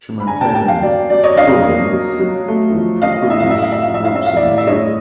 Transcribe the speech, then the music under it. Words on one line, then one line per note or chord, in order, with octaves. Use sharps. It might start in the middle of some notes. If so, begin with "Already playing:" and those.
She maintained close links with pro-Kurdish groups in Turkey.
B5
D4 G#5 A#5
G5 A5
A#3 G5 A5
F5 G5
F#3 D5
F#3 D5
C#5 D#5
D4 D#5 F5
A#3
F#3
F#3
A3
F3
C#4 D#5 F5
A2 E5
F5
E5
A3 F5
E5
F3 F5
E5
F5
C#4 E5
F5
A2 D5 E5
E5
A3 C#5 D#5